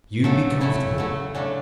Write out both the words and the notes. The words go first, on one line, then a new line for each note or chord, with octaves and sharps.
You be comfortable.
C#3 F#3 A3 A4
C#3 F#3 A3 E4
C#3 F#3 A3
C#3 F#3 A3 D4